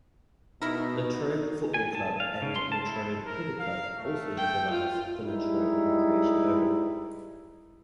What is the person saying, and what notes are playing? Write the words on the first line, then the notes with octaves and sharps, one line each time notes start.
Latrobe Football Club and Latrobe Cricket Club also utilize the Latrobe Recreation Oval.
B2 D#4 E4 A#4
G#5
A5
F5
C#3
C6
A5
E4
A#4
F5
A3
G5
F4
G3 G#3 D#4 E4